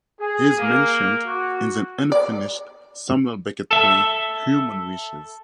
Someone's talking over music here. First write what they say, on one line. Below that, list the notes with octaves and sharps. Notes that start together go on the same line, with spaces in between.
He is mentioned in the unfinished Samuel Beckett play Human Wishes.
G#4
A#3
F#4
D5
A4 E5